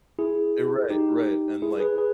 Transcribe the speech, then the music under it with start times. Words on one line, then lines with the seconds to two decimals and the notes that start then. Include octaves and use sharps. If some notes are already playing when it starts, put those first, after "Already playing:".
Eh, right, right, and like
0.19 E4 G#4
0.90 D#4 G4
1.62 E4 G#4
1.80 G#4 B4
1.98 G#4 B4